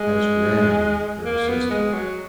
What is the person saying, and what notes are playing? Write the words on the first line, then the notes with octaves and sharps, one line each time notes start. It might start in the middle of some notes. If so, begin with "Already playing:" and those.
He has Gran for assistant.
Already playing: G#3
A#3
B3
G#3
F#3